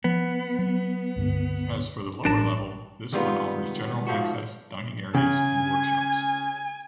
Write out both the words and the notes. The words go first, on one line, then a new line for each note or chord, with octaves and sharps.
As for the lower level, this one offers general access, dining areas, and workshops.
F3 B3
F#3
C#2 G2 D3
A1 D4 A#4 A5
C3 D#3 G3 G#3 B3 F4
G#2 F3 A3 F#4
C#3 G#5